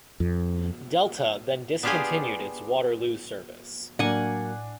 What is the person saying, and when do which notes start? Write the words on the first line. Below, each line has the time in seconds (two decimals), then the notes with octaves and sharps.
Delta then discontinued its Waterloo service.
0.20 F2
1.83 B3 D4 F4 G4 G#4 G#5
3.99 A2 F#3 A#3 D4 F#5 G#5